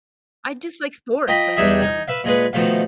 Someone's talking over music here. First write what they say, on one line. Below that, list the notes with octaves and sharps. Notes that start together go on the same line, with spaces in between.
I just like sports, I just um,
F4 D#5 G5 A#5 B5
E2 G3 D4 D#4 G#4 E5
D#4 G#5
B4 E5 F5
A#2 G#3 G#4 B4
B2 D#3 F3 A3 F5